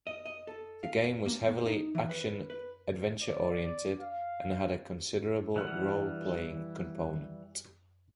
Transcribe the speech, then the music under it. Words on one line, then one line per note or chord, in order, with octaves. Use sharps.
The game was heavily action-adventure oriented and had a considerable role playing component.
D#5
D#5
A4
F5
A#3
A#3
D#4
E3
B4
B4
D5
F5
E3 G3 F#5 F6